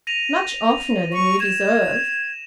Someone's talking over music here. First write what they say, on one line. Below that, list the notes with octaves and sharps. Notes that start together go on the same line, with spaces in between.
"Much oftener than you deserve."
A#6 D#7 F7
C#6
G#6 E7